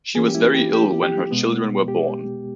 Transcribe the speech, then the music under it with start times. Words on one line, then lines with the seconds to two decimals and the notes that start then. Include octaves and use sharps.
She was very ill when her children were born.
0.15 E3 A#3 C#4 G#4
0.27 G4
0.35 E4
0.54 G4
0.73 G4
1.03 G4
1.31 B2 G#3 B3
1.88 G4